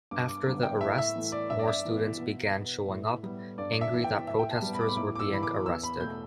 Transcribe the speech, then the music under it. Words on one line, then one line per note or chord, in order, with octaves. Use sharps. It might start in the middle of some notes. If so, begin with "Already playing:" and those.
After the arrests, more students began showing up, angry that protesters were being arrested.
G2 D6
D6
D3 G3 B3 D6
G5
A2 E5
E5
E3 A3
D5
G2 E5
D5
E5
E3 B3
B2
B3
A2
G3 B3
G2 D5
E5
E3 B3
G5
A2 E5
G5
A5
G3 B3
B5
D6
B5
A2 D6
D6
E6
E3 B3 B5
D6
E2 E6
B5
B2 A3 G6